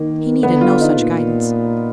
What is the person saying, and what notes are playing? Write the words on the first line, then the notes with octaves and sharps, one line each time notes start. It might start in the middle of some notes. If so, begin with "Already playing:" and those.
He needed no such guidance.
Already playing: D#3 A#3
D3 B3
F4
D#4
A#2